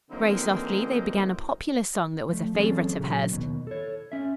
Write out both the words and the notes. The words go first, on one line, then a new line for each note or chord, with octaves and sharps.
Very softly they began a popular song that was a favorite of hers.
D3 E3 F#3 A#3 C4 D#4
F3 A3
E3 F#3 C4 C#4 G#4 A4
A#2 C#3 F#3
D#2 B2
A4 C#5
C#4 E5